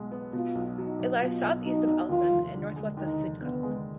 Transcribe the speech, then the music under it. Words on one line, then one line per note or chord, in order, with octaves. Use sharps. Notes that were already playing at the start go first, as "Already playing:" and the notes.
It lies south east of Eltham and north west of Sidcup.
Already playing: B1 B2 G#3
B3
B2 F4
B1
F#3 D#4
B1
B2 F4
B1
F#3 D#4
B1
D#2 F4
F1
D3
G#3
D#2 D#4
F1
D3 B3
G#3